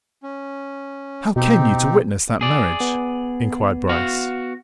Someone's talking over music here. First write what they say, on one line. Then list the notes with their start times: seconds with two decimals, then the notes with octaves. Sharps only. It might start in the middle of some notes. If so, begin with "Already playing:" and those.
"How came you to witness that marriage?" inquired Bryce.
0.23 C#4
1.36 B2 C4 D#4 G4
2.41 G#4 D5
2.80 B3
3.89 F#4 F5